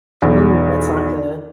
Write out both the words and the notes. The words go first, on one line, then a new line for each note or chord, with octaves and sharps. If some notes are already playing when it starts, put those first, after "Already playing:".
Ooh, that's not good.
B1 E2